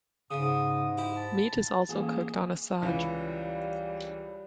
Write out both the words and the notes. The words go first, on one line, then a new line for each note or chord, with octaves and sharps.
Meat is also cooked on a "saj".
G#2 C#3 D#6
E4 G4
A5
A1 A#3 G#4
C#2 E3 G3 C#5 B5